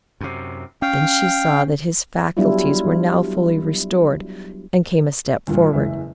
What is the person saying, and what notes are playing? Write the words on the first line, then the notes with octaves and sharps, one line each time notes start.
Then she saw that his faculties were now fully restored, and came a step forward.
F#2 C3
C#4 F5 G5
F#3 G3 B3 D4 E4 F4
D2 G2 A#2
F#1 E2 G#3 E5